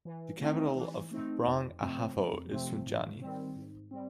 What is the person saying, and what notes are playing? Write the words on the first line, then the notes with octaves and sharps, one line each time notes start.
The capital of Brong-Ahafo is Sunyani.
E3
A3 C4 D#4
E3
A3 C4 D#4
F2
C3 F3 A3 C4
F2
C3 F3 A3 C4
G#2
D#3 G3 C4
G#2
G3 C4